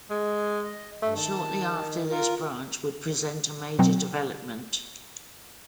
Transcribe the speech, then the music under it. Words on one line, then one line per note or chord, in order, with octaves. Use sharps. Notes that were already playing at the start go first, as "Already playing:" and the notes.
Shortly after this branch would present a major development.
G#3
D#5
G2 A3
D#3 A5
F4 A#4
B2 F#3 C4